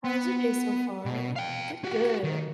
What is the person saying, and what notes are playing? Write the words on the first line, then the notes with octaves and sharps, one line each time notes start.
How's your day so far? Good, good.
B3
B2
F5 G5
F#4 G4
D#3